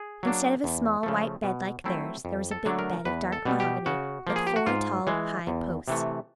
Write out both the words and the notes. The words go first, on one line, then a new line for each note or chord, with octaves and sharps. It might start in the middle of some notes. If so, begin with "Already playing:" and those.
Instead of a small white bed like theirs there was a big bed of dark mahogany with four tall, high posts.
Already playing: G#4
F#3 A#3 D4
E2
C#3 F3 A3
B2
F#3 A3 C4 E4
F2
A4
D3 F#3 A3 D4
A#4
E2 B4
A4
B2 G3
G4
C#3 F#4
F3 A#3
G#4
G4
F#4
G#2 F4
E3 G#3
E2
C3 E3 A3